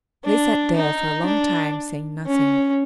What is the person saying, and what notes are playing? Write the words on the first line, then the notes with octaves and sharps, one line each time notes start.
They sat there for a long time, saying nothing.
D4
D#4
D4
C#4